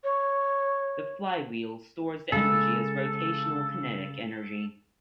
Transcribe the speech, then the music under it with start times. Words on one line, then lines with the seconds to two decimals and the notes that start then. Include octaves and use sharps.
The flywheel stores the energy as rotational kinetic energy.
0.04 C#5
2.32 C#3 G#3 A4